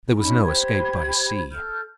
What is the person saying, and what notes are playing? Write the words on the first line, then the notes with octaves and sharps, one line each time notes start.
There was no escape by sea.
C#4 D#4 B5
G4 C5 B5 G#6
A4 F6 G6